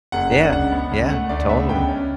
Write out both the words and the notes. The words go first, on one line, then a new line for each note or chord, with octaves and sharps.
Yeah, yeah, totally.
F#1 F#5
D4 F#5
C#2 F#5
B3
C#2
A3 F#5
D2 D5
B3 E5
C#2 G5
C#4